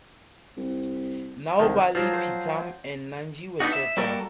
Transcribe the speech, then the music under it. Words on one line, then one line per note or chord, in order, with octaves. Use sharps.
Now bali peetam and nandhi were set up.
C2
C2 D#3
F3 F#3
C5
B3 D4 D#4 F#4
E5
G3 A#3 F#4 A4 A#4